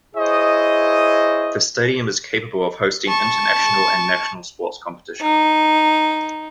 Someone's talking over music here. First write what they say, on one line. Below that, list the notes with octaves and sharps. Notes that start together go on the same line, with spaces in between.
The stadium is capable of hosting international and national sports competition.
E4 G#4 C5 C#5 D#5
A5 C#6
D#4